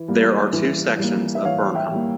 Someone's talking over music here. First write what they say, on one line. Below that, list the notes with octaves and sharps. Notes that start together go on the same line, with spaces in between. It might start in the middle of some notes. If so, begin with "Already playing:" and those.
There are two sections of Burnham.
Already playing: E3
G3 A#3
E3
G3 A#3
E5
E3 C#5 F5
E5 G5
G3 A#3